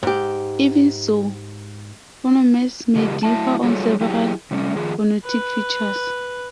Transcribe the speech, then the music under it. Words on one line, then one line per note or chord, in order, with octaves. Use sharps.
Even so, phonemes may differ on several phonetic features.
G#2 G4
C#3 F3 G#3 G4 A#4
F#3 A3 E4 E5 A5
F#3 G3 F4 G#4 A4 C#5
F#3 E4 G4 G#4
C3 G3 A3 C#4
D#3 F3 G#4
B4